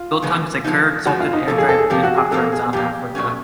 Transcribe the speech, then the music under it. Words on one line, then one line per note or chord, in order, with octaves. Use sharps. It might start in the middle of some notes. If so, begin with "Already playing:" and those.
Biltong is a cured, salted, air dried beef popular in South Africa.
Already playing: F4
C#3 F3 G#3 B3 D#4
C#3 F3 G#3 B3 D#4
C#3 F3 G#3 B3 D#4 F#4
F4
D#4
A#2 F3 A#3 A4
G#4
A4
G#4
A#2 F3 A#3 G4
F#4
G#4
A#2 F3 A#3 A4
G#4
A#2 F3 A#3 G4
F#3 A3 C#4